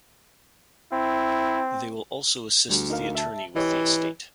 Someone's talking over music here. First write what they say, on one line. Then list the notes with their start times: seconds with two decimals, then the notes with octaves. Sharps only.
They will also assist the attorney with the estate.
0.92 C4 E4
2.70 D2 G3
2.90 D#4 A#4 F5
3.15 E5 A5
3.56 E3 G4 C#5 D#5